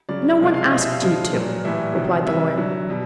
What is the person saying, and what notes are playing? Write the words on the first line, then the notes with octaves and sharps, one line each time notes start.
"No one asked you to," replied the Lawyer.
C#3 F#3 D5
C3 F3 G#3
F5
E5
B2 G3 D#5
E5
F5
C#3 F3 G#3 F5
A#2 F#3
A2 E3 G3 E5
C3 D#3 F#3
C3 E3 G3 E5
D3 F#3
B2 G3